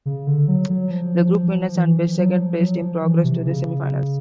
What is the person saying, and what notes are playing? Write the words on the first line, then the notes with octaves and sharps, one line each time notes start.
The group winners and best second place team progressed to the semi-finals.
C#3
D3
F#3
F#3
F3
F3
F3
E3
F3
F#3
F3
F#3
F3
E3
C3
C#3